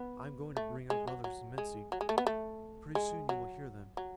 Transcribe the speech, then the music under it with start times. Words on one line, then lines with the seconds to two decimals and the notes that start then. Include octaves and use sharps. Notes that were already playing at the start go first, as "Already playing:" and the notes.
I am going to bring our brothers, the Minsi. Pretty soon you will hear them.
Already playing: B3
0.57 A3
0.90 G#3
1.07 F#3
1.24 F#3
1.58 G#3
1.92 F#3
2.01 G#3
2.09 A3
2.18 B3
2.27 A3
2.95 G#3
3.29 F#3
3.97 F#3